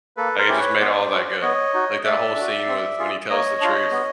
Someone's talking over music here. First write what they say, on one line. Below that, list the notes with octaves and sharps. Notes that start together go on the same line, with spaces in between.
like, it just made all that good. Like that whole scene with when he tells the truth
A#3 A4 B4
A#4 C5
C#4 E4 G4
B4 C#5
B3 C5 D5
D4 F#4
B3 C#5 D#5
D#4 F#4
A3 D5 E5
D4 F#4
C4
F4 G#4
A#3 C#5 D#5
D4 F4
B3